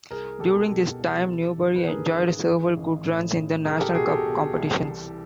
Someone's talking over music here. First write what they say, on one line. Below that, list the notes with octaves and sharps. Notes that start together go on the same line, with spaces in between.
During this time Newbury enjoyed several good runs in the national cup competitions.
C2 G#4 A#4
B2 G4 A4
B2
C2
E3
G#1
B4
G2 G#4 A#4
G#1
E3
A1
A2
A1
C2 G#4 A#4
G4 A4
B2 F#4 G#4
G4 A4
B2
C2
E3